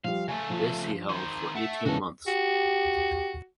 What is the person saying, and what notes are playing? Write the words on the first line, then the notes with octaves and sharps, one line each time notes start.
This he held for eighteen months.
F3 G3 F5
C#3 A3 G#5
F3
D#3 C5
A3 F#5 C#7
E1 C#3 E3 F#4 A4
F#4 G4